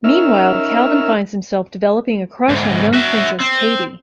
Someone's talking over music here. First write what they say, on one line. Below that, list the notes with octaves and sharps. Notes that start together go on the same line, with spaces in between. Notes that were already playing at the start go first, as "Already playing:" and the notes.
Meanwhile, Calvin finds himself developing a crush on young Princess Katey.
C#4 D#4 A#4 E5 E6 F6
D2 G#2
F#4 E5
C4